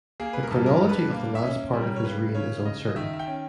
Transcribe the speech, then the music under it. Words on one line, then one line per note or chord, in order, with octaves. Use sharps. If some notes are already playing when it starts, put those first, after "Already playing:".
The chronology of the last part of his reign is uncertain.
A#3 G#4
B4
A#4
G2
A#4
G2
B4
A#3
E5
C#4
G3
A#4
C#5
C#3 B4
C#3 C#5
C#3 D#5
D#5
D#3 E5
E5
G5
C#4